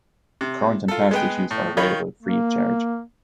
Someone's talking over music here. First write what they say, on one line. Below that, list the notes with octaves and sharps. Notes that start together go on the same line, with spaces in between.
Current and past issues are available free of charge.
C3
F4 A4
G#3 B3 G5
A2
D#3 F4 C#5 B5
A#3